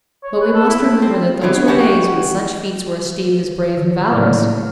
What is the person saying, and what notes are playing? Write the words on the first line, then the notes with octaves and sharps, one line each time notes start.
But we must remember that those were days when such feats were esteemed as brave and valorous.
C#5
B4
A4
E4
C4
B3 C4 D4 E4 C#5
C#4 F#4 G4 F#5
D#3
A2 C#3 F#3 A#3 D5 F6